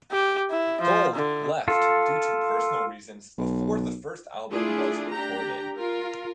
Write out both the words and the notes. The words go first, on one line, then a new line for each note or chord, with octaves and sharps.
Gold left due to personal reasons before the first album was recorded.
G4
E4
F3
D3
F4 A4
B1
A3 D4 E4 F4 G#4
D4 G4 G5 A#5
F4 A#4